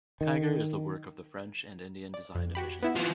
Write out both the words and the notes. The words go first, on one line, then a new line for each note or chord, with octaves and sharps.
Kiger is the work of the French and Indian design divisions.
D#3
D5
F2
F#4 G4 B5
B3 E4 E5
E3 F4